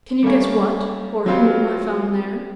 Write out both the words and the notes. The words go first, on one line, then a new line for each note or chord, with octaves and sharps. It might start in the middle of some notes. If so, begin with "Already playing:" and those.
Can you guess what, or whom, I found there?
G3 A3 A#3 C#4
F#3 C4 F4 G4 B4